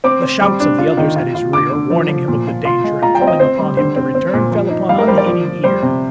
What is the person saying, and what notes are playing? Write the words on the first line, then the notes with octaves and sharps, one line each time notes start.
The shouts of the others at his rear, warning him of the danger and calling upon him to return, fell upon unheeding ears.
C4 D6
C4
G3 D6
D4
F4
D#3
F4
F4
D3 D6
D3
F3
F3
A#2
F4
F4 C6
G#3
F4 A#5
G5
C4
D#5
C4 C5
G3
D3 C5
C4
C4
A#2
F3
D#4
G3 F5
A#4
G3 C5
D5
F3
F3
G3 C5
C3